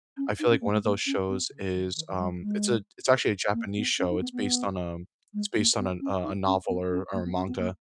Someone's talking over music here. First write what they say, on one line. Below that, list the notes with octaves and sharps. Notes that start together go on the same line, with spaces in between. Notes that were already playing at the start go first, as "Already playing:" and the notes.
I feel like one of those shows is, um, it's a it's actually a Japanese show, it's based on, um it's based on a a a novel, or or a manga,
C#4
D#4
C#4
A#3
G#3
A#3
C#4
B3
C#3
D#3
C#3
D#3
E3
G3
G#3
A#3
B3
C#4
D#4
B3
B3
G#3
A#3
B3
C#4
D#4
C#4
B3
C#4
A#3
B3
C#4
B3
A#3